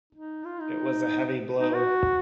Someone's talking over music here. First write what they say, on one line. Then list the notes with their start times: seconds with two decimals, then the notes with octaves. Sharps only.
It was a heavy blow.
0.13 D#4
0.45 F4
0.60 D#4
1.58 D#4
1.74 F#4